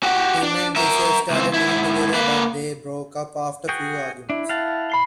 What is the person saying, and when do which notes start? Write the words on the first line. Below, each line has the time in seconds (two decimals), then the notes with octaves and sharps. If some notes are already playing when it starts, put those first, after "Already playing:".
Tim and Geisa started living together but they broke up after a few arguments.
0.03 F#4 G4
0.43 D4
0.76 A#4 E5
1.30 C#2 C4
1.54 G#2 E4
2.14 A#3 B4
3.69 F#4 G#4 G5
4.30 D4 E4
4.49 F5 F#5 A5
4.90 B5 C7 G7